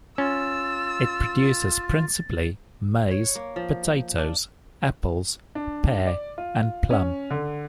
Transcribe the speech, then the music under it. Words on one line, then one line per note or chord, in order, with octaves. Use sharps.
It produces principally maize, potatoes, apples, pear and plum.
C#4 F4 E6 A6
C#5
A#3
F3
D4
D4
D5
F4
C#4
D3